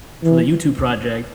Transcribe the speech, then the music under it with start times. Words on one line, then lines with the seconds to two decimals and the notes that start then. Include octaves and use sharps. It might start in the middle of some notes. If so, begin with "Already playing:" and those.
for the YouTube project,
0.24 E3